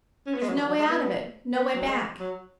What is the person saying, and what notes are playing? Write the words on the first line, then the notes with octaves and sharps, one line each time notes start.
There's no way out of it, no way back.
C#4
B3
G#3
F#3
D#3
F#3
G#3
B3
B3
F#3
G#3
F#3